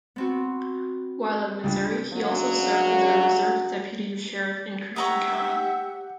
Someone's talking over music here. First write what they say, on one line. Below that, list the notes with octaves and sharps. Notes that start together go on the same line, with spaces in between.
While at Missouri, he also served as a reserve deputy sheriff in Christian County.
B3 C4 F#4
C#2 G3 D4
F#2 C#3 F#3 D4 F#4
G4 C#5 E5 F#5 A#5 D#6